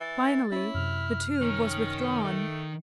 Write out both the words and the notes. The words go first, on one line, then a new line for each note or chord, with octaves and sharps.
Finally the tube was withdrawn.
E3 A6
C#4 E4 C#5
F#2 C3 F6
D#3 C#4
A3